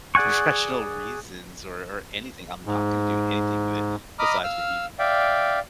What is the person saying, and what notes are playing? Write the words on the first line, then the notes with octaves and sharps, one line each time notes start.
professional reasons, or or anything. I'm not going to do anything with it, besides maybe
G#4 D5 F#5 G#5 C#6
G#2
D#5 A#5 B5 D6 D#6 F6
F5 E6 F6
D5 E5 F5 G5